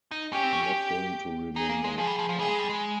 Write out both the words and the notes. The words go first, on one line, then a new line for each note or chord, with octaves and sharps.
I'm not going to remember that.
D#4
C#4 G4
C4
C#4
C#4
D#4 G#4
A#3
G#3
F3 G#4
G3
F3
F3
G3 G#4
G#3
G3
G#3